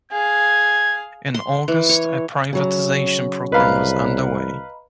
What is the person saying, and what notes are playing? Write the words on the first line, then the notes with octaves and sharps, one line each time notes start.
In August, a privatization program was underway.
G#4 F5 G#6
C6
E3
C#5
C#3 F#3
C2 B4 D#5 F5 A#5 B5